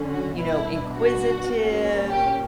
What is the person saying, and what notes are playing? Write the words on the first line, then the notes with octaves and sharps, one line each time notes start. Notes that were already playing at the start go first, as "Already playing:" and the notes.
you know, inquisitive.
Already playing: D3 F#3 C#4
F#4
B2 G3 B3 D4 E4
F#4
A#2 A#3 C#4
G4